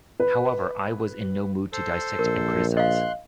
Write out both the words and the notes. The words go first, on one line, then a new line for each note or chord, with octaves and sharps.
However, I was in no mood to dissect and criticize.
B4
A4 C5
A#1 A#4
D#5 F5 C6 F#6